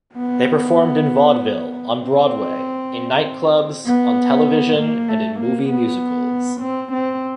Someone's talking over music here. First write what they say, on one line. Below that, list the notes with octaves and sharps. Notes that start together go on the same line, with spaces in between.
They performed in vaudeville, on Broadway, in nightclubs, on television, and in movie musicals.
B3
C4
B3
A#3
A3
A#3
B3
C4
C4